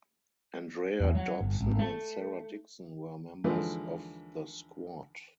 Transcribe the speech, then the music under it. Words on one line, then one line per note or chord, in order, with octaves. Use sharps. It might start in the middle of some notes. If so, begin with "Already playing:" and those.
Andrea Dobson and Sarah Dixon were members of the squad.
E2
F#3
G1
G#1
A3
D#2 D3 E3 F3 G#3